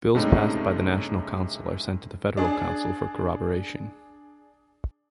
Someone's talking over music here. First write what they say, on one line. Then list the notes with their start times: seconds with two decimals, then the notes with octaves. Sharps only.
Bills passed by the National Council are sent to the Federal Council for corroboration.
0.15 G2 C3 G#3 A3 C#4 D#4
2.37 D4 G#4